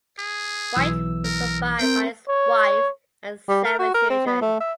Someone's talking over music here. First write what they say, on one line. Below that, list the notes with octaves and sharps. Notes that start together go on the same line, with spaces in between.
White was survived by his wife and seven children.
G#4
B1 E3 E6
A#4
C4 A#4 G5
C#5
G3
A#4
F#4
A#4
C4
B3
A3
E5